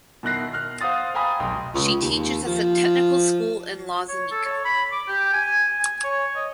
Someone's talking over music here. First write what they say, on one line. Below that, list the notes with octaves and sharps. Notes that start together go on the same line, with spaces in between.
She teaches at the technical school in Loznica.
B2 D#3 E4 F#6 A#6 C7
F6 F#6
C5 F5 F#5 D#6 A6
F5 G5 G#5 A#5 B5 D#6
F1 B1 G5 C6 D#6
C#2
D#2
F3
C#5
A4
C#5
B5
D6
G4
G#5
G#5
C#5
D#5